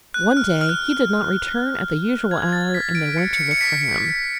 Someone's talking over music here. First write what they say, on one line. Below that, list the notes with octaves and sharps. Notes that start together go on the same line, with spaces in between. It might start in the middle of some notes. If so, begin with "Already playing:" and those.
One day he did not return at the usual hour and they went to look for him.
F#6
F6
F6
F#6
G#6
G#6
A6
B6
D7
C#7
C#7
B6
C#7
B6
C#7